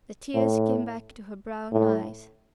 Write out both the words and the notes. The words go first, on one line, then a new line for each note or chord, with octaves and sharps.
The tears came back to her brown eyes.
A2
A2